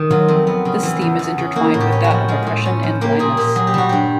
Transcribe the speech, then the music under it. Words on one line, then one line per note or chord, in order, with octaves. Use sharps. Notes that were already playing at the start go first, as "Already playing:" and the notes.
This theme is intertwined with that of oppression and blindness.
Already playing: D#3
F#3 F4
F2
B3
C#3
E3
E2
E2
C#3
A#3 F#4
A2
G4
C#4
F#4
F3
G#3 F4
A2
C#4
F3
A#3 G4
A#2 G#4
A#2 G4
F#3 G#4
G4
G3 F#4
G2 G4